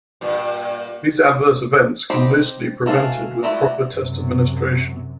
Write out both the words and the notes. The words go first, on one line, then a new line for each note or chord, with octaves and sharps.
These adverse events can mostly prevented with proper test administration.
G2 A#2
C4 D#4 G4 B5
E3 F#4 A4 F5 G#5
G3 A3 E4 F#4
F#2 C3